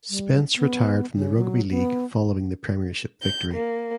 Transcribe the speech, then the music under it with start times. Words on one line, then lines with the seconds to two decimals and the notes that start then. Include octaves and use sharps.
Spence retired from rugby league following the premiership victory.
0.10 G3
0.56 B3
1.15 C#3
1.36 F#3
1.70 B3
3.21 G6
3.54 A#3